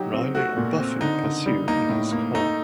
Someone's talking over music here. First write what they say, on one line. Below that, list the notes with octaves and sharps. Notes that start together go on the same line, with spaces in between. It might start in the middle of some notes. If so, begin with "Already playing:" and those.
Riley and Buffy pursue in his car.
Already playing: F#3 D#4 G4
C4
A3 F#4
A#2
C4
D3 D#4
D3
G3
A#3 D#4
A2
A#3
A3 D#4